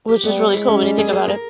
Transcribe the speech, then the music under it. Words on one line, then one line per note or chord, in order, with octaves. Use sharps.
Which is really cool when you think about it.
G4
G3 B3
C#5
G#3 E4
C#4
G3
G#4
A#3
A#4